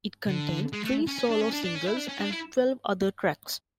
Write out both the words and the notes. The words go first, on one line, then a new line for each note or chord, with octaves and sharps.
It contained three solo singles and twelve other tracks.
D3
G#3
A3
C#4
C#4
D4
C#4
D4
D4
C#4
E4
D4
C#4
D4
E4